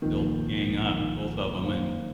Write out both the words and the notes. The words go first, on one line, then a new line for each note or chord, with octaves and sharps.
they'll gang up, both of 'em, and
C2 A#2 D#3 F3 A#3 F4
D#3
D#3 A#3 D#4 C5 F5